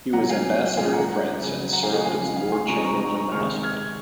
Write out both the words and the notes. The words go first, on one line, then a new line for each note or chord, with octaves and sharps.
He was Ambassador to France and served as Lord Chamberlain of the Household.
C3 F#3 F#5 A#5
F5 G#5
A#2 F3 G#3 F5 G#5
F#5 A#5
F#5 A#5
C#3 F#3
F#5 A#5
F5 G#5
D#5 F#5
C#3 F3 G#3 F5 G#5
F5 G#5
G#5 C6
C3 F3 G#3 A#5 C#6
A#5 C#6
A#5 C#6
A#5 C#6
C3 D#3 G#3 C#6 F6
F6 G#6